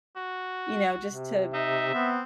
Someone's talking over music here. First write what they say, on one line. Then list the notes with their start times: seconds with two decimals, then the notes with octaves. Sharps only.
You know, just to
0.16 F#4
1.07 C3
1.54 D#4 E5
1.94 B3 C4